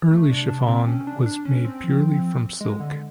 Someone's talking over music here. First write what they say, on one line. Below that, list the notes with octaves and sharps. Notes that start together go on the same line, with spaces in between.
Early chiffon was made purely from silk.
A3
C3 D4
D4
C4
C#4
D4
D4
C#4
C4
F3
G#3
D3